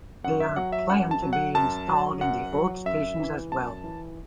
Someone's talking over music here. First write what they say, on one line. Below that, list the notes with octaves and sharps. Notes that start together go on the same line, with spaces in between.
They are planned to be installed in the old stations as well.
F#2 F#5
E5
F#3 F#5
E5
F#2 F#5
A5
F#3
F#5
F#2 A5
F#3
F#2 F#5
F#3
F#2 E5
E3
F#2 A5
E3